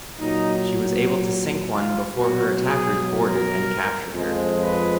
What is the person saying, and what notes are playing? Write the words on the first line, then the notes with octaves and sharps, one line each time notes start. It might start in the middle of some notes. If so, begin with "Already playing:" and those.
She was able to sink one before her attackers boarded and captured her.
A#2 F#3 D#4
F4
B2 F#3 F#4
G#4
A#4
F2 F3 G#3
B4